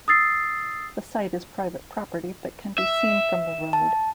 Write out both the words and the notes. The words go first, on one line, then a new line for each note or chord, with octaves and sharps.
The site is private property but can be seen from the road.
D#6 E6 A6 C7
E5
A5